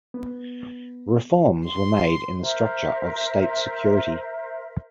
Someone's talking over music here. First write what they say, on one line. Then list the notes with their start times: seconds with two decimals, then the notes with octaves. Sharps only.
Reforms were made in the structure of state security.
0.14 B3
1.66 C6
2.40 A#4 C5 E5